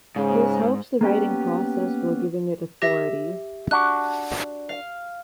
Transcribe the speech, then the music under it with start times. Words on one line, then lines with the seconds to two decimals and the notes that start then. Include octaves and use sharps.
This helps the writing process while giving it authority.
0.16 G#2 C#3
1.01 A#3 B3 C#4 G4
2.82 G4 E5 A#6
3.71 D4 F#4 F#6
4.69 F5